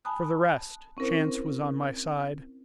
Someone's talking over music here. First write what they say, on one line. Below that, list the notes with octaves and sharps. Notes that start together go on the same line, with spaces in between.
For the rest, chance was on my side.
G#5 A5 B5 D#6 F#6
C4 C#4 E4 A#4 C5